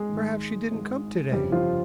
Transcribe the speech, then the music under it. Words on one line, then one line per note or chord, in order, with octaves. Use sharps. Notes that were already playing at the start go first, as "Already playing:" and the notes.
"Perhaps she didn't come today."
Already playing: G#3 G#4
G#1 G#2 D#3
G#1 G#2 D#3
G1 F2 C#3 G3 G4
F3 F4